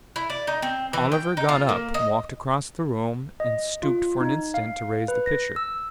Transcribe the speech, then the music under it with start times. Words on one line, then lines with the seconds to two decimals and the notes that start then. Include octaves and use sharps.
Oliver got up; walked across the room; and stooped for an instant to raise the pitcher.
0.16 E4
0.30 D5
0.47 D#4
0.62 C4
0.93 E3
1.12 G5
1.37 D#4
1.49 F4
1.69 A#3
1.94 D#5
3.40 D#5
3.83 F4
4.21 D#4
4.54 F5
5.08 B4
5.26 A#6
5.56 E6